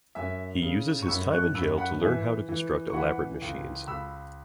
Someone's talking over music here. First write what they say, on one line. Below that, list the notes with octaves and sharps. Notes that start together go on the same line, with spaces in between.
He uses his time in jail to learn how to construct elaborate machines.
F#2 E5 G#5
C#3
C#6
F#2 B5 E6
C#6 F#6
F#2 B5 E6
F#5 B5
E3 E5 G#5
E3
C#6
E3 F#5 B5
C#2
C#2 B5 E6